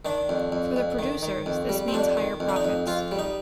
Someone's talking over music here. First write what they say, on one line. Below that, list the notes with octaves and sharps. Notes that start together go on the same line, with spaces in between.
For the producers, this means higher profits.
D#3 D4
F2
F2
F2
D#3
D#3
F2
G3
C4
F2 D4
D#3
F2
D4
D#4
F2
F2 F4
G3
D#4